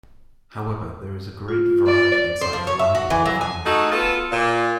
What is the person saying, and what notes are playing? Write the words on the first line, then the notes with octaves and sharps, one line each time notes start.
However, there is a great variety inside the landdweller family.
F4
D5
C5
F3
C#5
E5
F#4
E3
F#3
G#5
A3 D#4 F#4 G#4 A4
B3 F4 A4
A#2